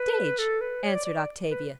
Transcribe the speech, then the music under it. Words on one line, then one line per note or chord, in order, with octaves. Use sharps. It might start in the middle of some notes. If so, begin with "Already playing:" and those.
"Stage," answered Octavia.
Already playing: B4
A4
B4
C#5
D5
D5
D5
B4